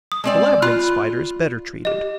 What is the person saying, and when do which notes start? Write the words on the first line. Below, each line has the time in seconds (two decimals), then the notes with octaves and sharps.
The Labyrinth Spider is better treated.
0.12 D#6
0.24 G#3 C4 D5
0.62 F4 B5 F#6
1.85 G4 D#5